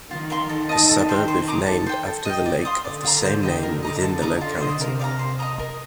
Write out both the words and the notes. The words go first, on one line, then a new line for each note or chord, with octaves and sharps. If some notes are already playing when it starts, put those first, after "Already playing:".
The suburb is named after the lake of the same name within the locality.
D#3 F4
A#4 F5 C6
D#3 A4
D#5 A5
A4
C5 G5
C5
D#5 A#5 D6
A4
C5 G5
A4
D#5 G5
D5
F5 C6 D#6
D3 D5
F5 A#5
C5
D#5 G5
D3 A#4
D#5 A#5 D6
A4
D#5 A#5 D6
D3 F4
C5 D#5
C3 A#4
D5 F5 A#5
C5
D#5 A#5 D#6
A#4